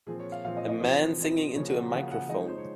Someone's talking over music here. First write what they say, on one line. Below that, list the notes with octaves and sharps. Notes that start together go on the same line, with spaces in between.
A man singing into a microphone.
A#2 F3 C4 G#4
C#5
F5
A#2 F3 C4 F5
D#5
D#5
F3 C4 D#4
F3 C4 D#4
C#3 F3 A#3 C#5
F#4
C#3 F3 A#3 F#5
F5
F#5
F3 G#3 D#4 D#5
C#5
C5
C#5